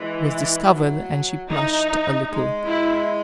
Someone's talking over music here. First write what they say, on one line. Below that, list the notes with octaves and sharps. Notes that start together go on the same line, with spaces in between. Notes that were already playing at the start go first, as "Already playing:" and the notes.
She was discovered, and she blushed a little.
Already playing: E3 G#3
F#3
E3 D#4
G#3
E4